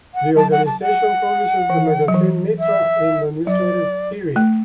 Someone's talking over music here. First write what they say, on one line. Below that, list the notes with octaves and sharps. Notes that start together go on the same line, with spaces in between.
The organisation publishes the magazine "Mitra" and the newsletter "Tiri".
F#5
F#3 A5
F#5
A5
F#5
E3
F#3
E3
E5
F#3 D5
A3